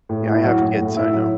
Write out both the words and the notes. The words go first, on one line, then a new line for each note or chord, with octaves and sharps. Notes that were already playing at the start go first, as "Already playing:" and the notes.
Yeah, I have kids, I know.
A2
A2
E4
F#3 F#4
A2
A2
A2 E4
F#3